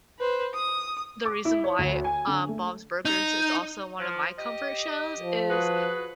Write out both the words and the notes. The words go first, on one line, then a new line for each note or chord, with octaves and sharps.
the reason why, um, Bob's Burgers is also one of my comfort shows is
B4 C5
D#6
D6
E4
C#5
D2
G#5
D3
A3
D#4
F3
G4 D#5
F3
F#4 G#4 B4